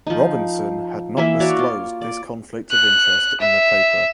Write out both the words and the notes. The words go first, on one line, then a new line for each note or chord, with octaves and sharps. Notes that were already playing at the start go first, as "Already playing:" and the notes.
Robinson had not disclosed this conflict of interest in the paper.
F3 D#4
E3 A#3 E4 E5
F#4 C#5 D5 A#5
F4
D5
F#6
E5